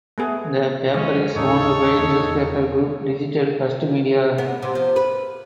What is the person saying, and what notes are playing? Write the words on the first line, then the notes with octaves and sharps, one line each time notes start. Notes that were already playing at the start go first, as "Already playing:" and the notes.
The paper is owned by newspaper group Digital First Media.
A3 B3 G#4
F2 D#3 F3 F#3 G#3 C#4
D#2 A2 C#3 D#4 A4 C#5
E2
B3
C3
F3
B4